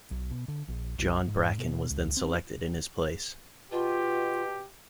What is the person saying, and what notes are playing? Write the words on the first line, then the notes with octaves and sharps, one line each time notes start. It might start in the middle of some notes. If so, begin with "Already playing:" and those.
John Bracken was then selected in his place.
B1
B2
D3
A#1
B1
G#2
B2
C#2
C4
B2 F4 G4